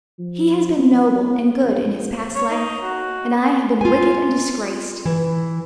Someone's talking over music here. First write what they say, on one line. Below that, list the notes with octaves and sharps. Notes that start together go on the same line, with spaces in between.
He has been noble and good in his past life, and I have been wicked and disgraced.
F3
B3
A#1
C#5
D#4
F#4
F4 G#5
E3